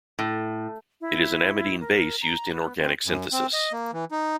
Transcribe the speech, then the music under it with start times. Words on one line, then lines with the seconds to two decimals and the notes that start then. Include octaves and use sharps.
It is an amidine base used in organic synthesis.
0.19 A2
1.01 E4
1.81 A#4
2.22 A#5
2.52 B3
2.78 C4
3.06 F#2
3.33 C4
3.53 D#5
3.73 A#3
3.93 E3
4.11 D#4